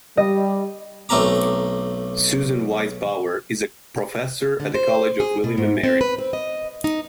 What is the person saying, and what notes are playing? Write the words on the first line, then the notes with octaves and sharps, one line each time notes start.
Susan Wise Bauer is a professor at the College of William and Mary.
G3 D#5
B1 A3 C4 A#4 A#5 D6
D3
C5
G#4
B2
G#2
C4
B4
C4
D#5
D#4